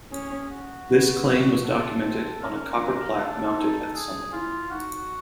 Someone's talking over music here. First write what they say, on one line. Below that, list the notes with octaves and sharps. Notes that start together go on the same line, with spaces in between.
This claim was documented on a copper plaque mounted at the summit.
C#4 G#4
F#4
B3
F#4
A4
C4
C#4 A#4
D4
D4 A4
D#4
G#4
E4 F4
D#4 F#4